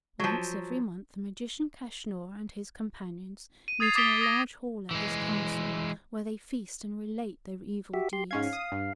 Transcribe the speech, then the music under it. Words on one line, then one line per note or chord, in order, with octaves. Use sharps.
Once every month the magician, Kaschnur, and his companions meet in a large hall at this castle, where they feast and relate their evil deeds.
F3 F#3
D#7
D#6 G#6 A6 C7 F7
D6 D#6 A6 B6 D7 G7
D#6 A#6
E3 G#3
F#4 G4 E5
G4 C6
G#2 C#4 F5 G#6
D#6
G2